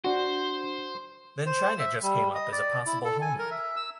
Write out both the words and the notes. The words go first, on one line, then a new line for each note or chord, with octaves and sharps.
Then China just came up as a possible homeland.
D4 F#4 C5 C6
C5
E5
G3
D#5
D5
E4
A4
G#5
A#4
E5
E6